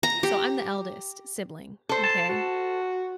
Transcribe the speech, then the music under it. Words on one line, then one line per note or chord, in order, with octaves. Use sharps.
so I'm the eldest sibling, okay?
A#5
G4
A4 C5
A5
F#4